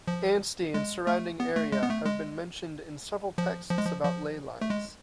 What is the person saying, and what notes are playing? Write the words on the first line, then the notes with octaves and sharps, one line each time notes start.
Anstey and surrounding area have been mentioned in several texts about ley lines.
F3
G#3
A3
B3
A3
G#3
B3
A3
G#3
F3
F3
G#3
F3
F3
A3
G#3